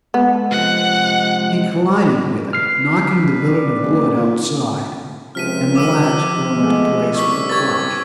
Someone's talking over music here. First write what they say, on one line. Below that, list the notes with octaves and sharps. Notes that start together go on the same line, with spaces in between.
He collided with it, knocking the billet of wood outside, and the latch fell into place with a clash.
G#3 B3 A4
C3 F3 F#5
B4 F6 C7
D5
F#1
A#2
C#2 C3 F3 C4 F6 B6 D#7
D6 E6 D#7
F3 G#3 A3 B3
C2 C#6 E6 B6
G4 B4 G#6 A6